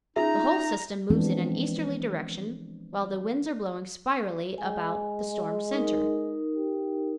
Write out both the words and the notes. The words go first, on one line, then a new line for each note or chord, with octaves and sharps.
The whole system moves in an easterly direction, while the winds are blowing spirally about the storm center.
C#4 D#4 F4 G#4 E5 A#5
E3 F3 G#3 B3 C4 D4
G#3 G#5
D#4 A#4
G4